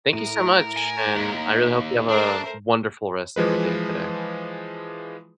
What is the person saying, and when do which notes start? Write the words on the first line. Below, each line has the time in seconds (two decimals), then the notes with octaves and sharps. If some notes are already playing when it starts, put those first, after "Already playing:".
thank you so much, and I really hope you have a wonderful rest of your day today.
0.13 A2 A#4 D#7
0.77 G#5
1.16 D#2 D#4
2.09 A3 D4 A4 A#4 C5 F7
3.36 E3 F3 G#3 B4